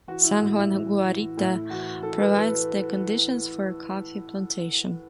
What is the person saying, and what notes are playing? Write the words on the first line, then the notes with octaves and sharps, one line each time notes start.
San Juan Guarita provides the conditions for coffee plantation.
E3 F#4
E4
A2
E4
E3
E3
A2 E4
E3 F#4
E3 A4
B4
E3 A4